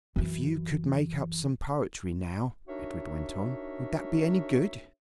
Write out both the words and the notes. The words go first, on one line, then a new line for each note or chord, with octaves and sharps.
"If you could make up some poetry now," Edred went on, "would that be any good?"
F#2 E3
D4 D#4 F#4 A#4 C#5 E5